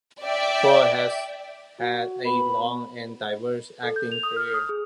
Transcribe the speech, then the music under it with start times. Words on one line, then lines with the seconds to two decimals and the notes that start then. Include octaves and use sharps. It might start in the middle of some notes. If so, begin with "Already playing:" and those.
Ford has had a long and diverse acting career.
0.23 D5 E5 G5
1.80 F#4
2.25 B3 B5
3.83 A4
3.96 G6
4.12 F7
4.23 D#6
4.36 F6
4.54 D#6
4.69 G#4